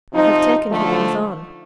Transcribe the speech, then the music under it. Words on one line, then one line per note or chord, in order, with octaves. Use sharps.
I have taken Higgins on.'
C3 F3 C4 D#4
D3 F3 A3